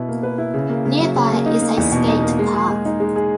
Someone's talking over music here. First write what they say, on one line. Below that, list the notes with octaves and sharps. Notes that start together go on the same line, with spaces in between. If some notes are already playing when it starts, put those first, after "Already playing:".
Nearby is a Skate park.
Already playing: B2 E4 B4
A#3
B4
E4
C#3
A#3
C#3
F#3
C#3
A#3
D#4
A#3
E2
B2
D#4
A#3
G#3
G#4
G#3
D#4
G#3
G#4